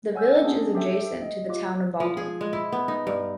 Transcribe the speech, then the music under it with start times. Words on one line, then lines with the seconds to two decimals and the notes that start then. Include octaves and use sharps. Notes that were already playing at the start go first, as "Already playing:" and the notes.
The village is adjacent to the Town of Baldwin.
0.14 C#5 F#5 G#5 E6 F6 G6
0.43 B3 C#4 D4 G#4 C5
0.75 G4 A4 C5 E5 G5
0.93 D7
1.22 D#5
1.49 F4 G4 D6
2.00 F3
2.17 G#4
2.41 G#3
2.53 E4
2.72 B3
2.88 D#4
3.07 G2